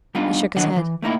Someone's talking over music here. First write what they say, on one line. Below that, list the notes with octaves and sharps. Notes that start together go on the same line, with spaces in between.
He shook his head.
G3 B3 D4 D#4 F4
D#3 E3 F#3 D4 D#5 F#5
E3
A3 A#3 D#4 E4